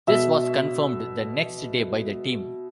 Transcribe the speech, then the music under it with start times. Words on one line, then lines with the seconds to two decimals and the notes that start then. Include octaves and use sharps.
This was confirmed the next day by the team.
0.07 B2 E5 E6